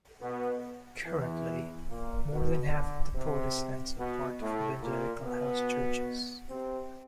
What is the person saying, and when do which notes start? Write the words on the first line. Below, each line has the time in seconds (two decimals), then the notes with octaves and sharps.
Currently, more than half of the Protestants are part of evangelical house churches.
0.22 B2 B3
1.06 E2 E3
1.90 A#2 A#3
2.32 B2 B3
2.73 D3 D4
3.15 C3 C4
3.99 B2 B3
4.41 A2 A3
4.82 A#2 A#3
5.24 B2 B3
6.50 C3 C4